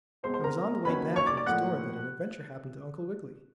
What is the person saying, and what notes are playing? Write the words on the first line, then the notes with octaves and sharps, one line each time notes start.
It was on the way back from the store that an adventure happened to Uncle Wiggily.
B2 G#3 C4 C5 C6
C5 C6
A#4 A#5
D#3 F#3 A#3 C#4 B4 B5
C#5 C#6
D5 D6
D5 D6
A2 F3 A#3 F#5 F#6